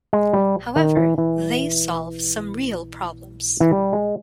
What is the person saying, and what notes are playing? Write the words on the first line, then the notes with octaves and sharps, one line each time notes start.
However, they solve some real problems.
G#3
G3
D#3
E3
E3
E3
G3
G#3